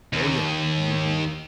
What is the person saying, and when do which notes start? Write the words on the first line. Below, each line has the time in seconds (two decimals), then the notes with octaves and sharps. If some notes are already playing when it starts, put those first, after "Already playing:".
Oh, yeah. Mhm.
0.13 D#2